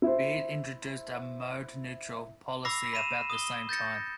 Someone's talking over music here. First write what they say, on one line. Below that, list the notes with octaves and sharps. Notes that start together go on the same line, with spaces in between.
Beard introduced a "mode neutral" policy about the same time.
E4 C5
B5 D6 E6 A#6 C7
B5 D#7 E7
D#6 G7
G6 A6 A#6 C#7